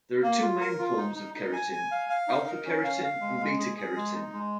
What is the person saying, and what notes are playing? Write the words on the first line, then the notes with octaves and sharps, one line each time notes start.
There are two main forms of keratin, alpha-keratin and beta-keratin.
A#3
F4
A#4
F4
D#4
D#4
D#4
G#5
G#5
F5
F5
D#4
A#4
C#4
F5
F5
G#3
G#3
G#4
G#4
G#3
D#4
G#3